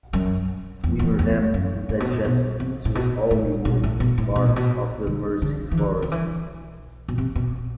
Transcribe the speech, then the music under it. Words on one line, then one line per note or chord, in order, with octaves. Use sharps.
Weaverham is adjacent to Owley Wood, part of the Mersey Forest.
F#2
E2
E2
E2
F#2
A2
B2
A2
B2
C3
A2
B2
A2
B2
A2
B2
A2
B2
A2
B2
D3
D3
E3
D3
D3
E3
B2
C3
B2